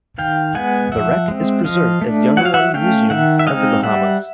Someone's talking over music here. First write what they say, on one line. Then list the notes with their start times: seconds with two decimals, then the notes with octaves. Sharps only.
The wreck is preserved as the Underwater Museum of the Bahamas.
0.18 D#3 F5 G5
0.55 G#3 B3 F#5 G#5
0.91 F3 E5 F#5
1.28 G#3 C4
1.64 F3 D#5 F5
2.02 A3 D4
2.37 F#3 F#5
2.45 F5
2.54 E5 F#5
2.74 A3 C#4 F5 G5
3.10 D#3 E5 F#5
3.39 E5
3.47 G#3 C4 D#4 D#5 F5
3.83 G3 E5 F#5